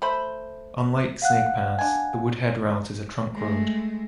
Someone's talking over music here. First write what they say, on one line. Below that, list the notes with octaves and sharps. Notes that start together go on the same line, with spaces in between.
Unlike Snake Pass, the Woodhead route is a trunk road.
A3 C5 B5
F5 F#5 F#6
D4 G#5
G#3 A3